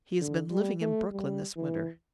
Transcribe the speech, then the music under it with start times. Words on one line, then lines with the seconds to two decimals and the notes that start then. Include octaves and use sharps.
He has been living in Brooklyn this winter.
0.21 D3
0.50 G3
0.81 A3
1.11 G3
1.56 E3